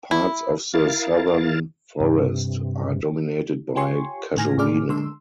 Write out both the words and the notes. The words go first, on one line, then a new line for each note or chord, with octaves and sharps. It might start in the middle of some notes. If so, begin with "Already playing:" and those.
Parts of the southern forest are dominated by "Casuarina".
E4
E4 A#4 F5 A6
G2 C3
F4 G4 C#5 G#5 C6 C#6
A2 D#3 G#5 F6 A#6
A2 C3 G#4 D5 D6 F6
D3 G#3 C6 E6